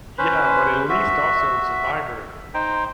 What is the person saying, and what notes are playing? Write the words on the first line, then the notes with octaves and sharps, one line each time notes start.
Yeah, but at least also in survivor,
C#4 B4 C5
F#4 E5
D#4 C5 G5